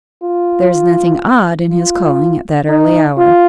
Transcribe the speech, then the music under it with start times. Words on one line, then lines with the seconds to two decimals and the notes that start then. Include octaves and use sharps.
There is nothing odd in his calling at that early hour.
0.23 F4
1.71 F4
2.69 D#4
3.18 F4